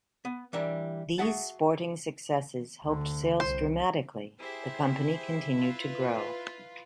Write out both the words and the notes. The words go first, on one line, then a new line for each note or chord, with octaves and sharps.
These sporting successes helped sales dramatically, the company continued to grow.
B3
E3 G3 D4 A#4 E5
F#4 G#4 E5 F#5 A5
D2 D3
C2 C5
E4 G4 G#4 C5 E5
F4 B4